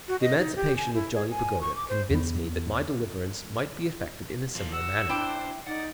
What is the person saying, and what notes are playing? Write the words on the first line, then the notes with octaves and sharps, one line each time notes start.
The emancipation of Johnny Pagoda convinced me that my deliverance might be effected in a similar manner.
F#4
D#5
D#4
G4
G#5
E4
G#4
G#5
C#6
D6
C5
E2 B3
F3 A#3
F#4 E6
D4 E4 C5 G5 D6
D#4 D5 F#5